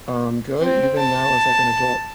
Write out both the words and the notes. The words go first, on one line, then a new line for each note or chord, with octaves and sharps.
um, good even now as, like, an adult."
C4
A5